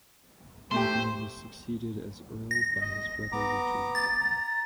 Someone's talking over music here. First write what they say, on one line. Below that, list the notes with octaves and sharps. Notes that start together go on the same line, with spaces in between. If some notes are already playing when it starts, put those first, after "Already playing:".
Anthony was succeeded as earl by his brother, Richard.
A3 G4 C5
A#6
D#5
B3 A#5 D6
A6
A#5